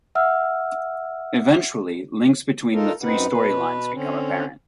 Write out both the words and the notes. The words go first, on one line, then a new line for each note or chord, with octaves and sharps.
Eventually, links between the three storylines become apparent.
E5 F#5 E6 F6
D#4 F4 A4 A#4
F#2 C4 D#4 B4 F#5
B2 B4
D3 C4 C#4